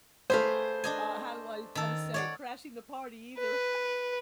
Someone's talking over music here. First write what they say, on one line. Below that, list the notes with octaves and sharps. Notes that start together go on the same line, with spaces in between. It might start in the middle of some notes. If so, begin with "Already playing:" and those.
uh, how do I wanna say- crashing the party either.
A3 G#4 B4 C5 F5
D4 D#5 G#5
D#3 A4
C#5 D5 F#5
B4